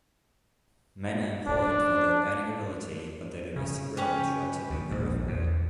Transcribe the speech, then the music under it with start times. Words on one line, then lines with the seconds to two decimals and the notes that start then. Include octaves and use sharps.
Men are important for their earning ability, but their domestic role is relatively peripheral.
1.47 D4
3.56 C#3
3.97 C#4 G4 B4
4.70 D#2
4.91 A#1
5.27 E2